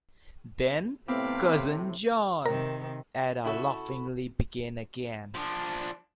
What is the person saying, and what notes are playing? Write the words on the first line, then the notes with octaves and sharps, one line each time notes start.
"Then, cousin John — " Ada laughingly began again.
A2 C3 B3 C4 B4 F5 B5 D6
C3 D#3 A#4
C#3 E4 F#4 A4
F3 D4